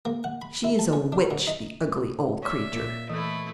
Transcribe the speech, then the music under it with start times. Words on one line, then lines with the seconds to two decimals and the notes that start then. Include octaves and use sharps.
She is a witch, the ugly old creature!
0.05 A#3
0.24 F#5
0.42 B5
0.64 E4
0.79 A5
0.93 C#4
1.12 D4
1.31 D3
1.47 D#4
2.42 C#5 D5 E5
2.72 A#2 A#3
3.09 E3 A3 E4 D#5